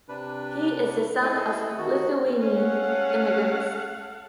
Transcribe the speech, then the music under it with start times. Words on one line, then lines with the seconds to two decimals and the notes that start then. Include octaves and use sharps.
He is the son of Lithuanian immigrants.
0.09 C3 D4 B4
1.21 E4 G#4 A4 D#5
1.78 D#3 F#4
2.41 C#4 A4 F5 F#5